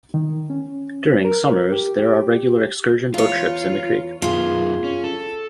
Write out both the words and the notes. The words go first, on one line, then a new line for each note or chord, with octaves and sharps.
During summers there are regular excursion boat trips in the creek.
D#3
C#4
A#4
G4
G4
E2 F4 C#5
F#2 D#3 B3 F4 G#4
C#4
A4